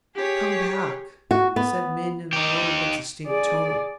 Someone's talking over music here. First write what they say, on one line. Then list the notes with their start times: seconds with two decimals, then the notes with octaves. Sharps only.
"Come back," said Min in a low but distinct tone.
0.15 G4 G#4 C#5
1.31 F#4
1.56 B3
2.33 D#4 G4
3.26 G#4 D5